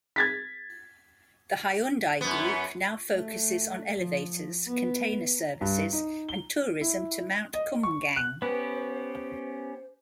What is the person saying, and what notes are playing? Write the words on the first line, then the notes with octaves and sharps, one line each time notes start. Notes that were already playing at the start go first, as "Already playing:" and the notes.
The Hyundai Group now focuses on elevators, container services, and tourism to Mount Kumgang.
G#6 A6 B6
F#2 B3
A3
F3
B3
G2
D#4
G7
E4
D#5
C#6
F#6
B3 C#4 G4 B4 C5